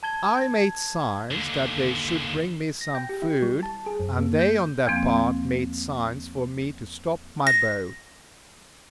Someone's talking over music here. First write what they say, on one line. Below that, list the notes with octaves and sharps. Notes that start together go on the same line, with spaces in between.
I made signs that they should bring me some food, and they on their part made signs for me to stop my boat.
A5 G#6 G7
D#2 D3
A#6
G5
G4
E4
G3
A5
G#4
F#2
A#3
G6
E2 F3 A#3 C4
A#6